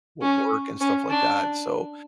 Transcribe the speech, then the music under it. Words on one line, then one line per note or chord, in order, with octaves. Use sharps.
w work and stuff like that, so,
C#4
C#4
D4